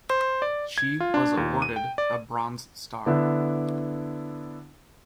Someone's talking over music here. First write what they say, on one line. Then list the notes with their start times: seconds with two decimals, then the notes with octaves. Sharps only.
She was awarded a Bronze Star.
0.10 C5
0.42 D5
0.78 G#6
1.00 F4
1.14 D4
1.37 D#2
1.62 D#7
1.76 G5
1.98 D5
3.06 D3 B3 D4 E4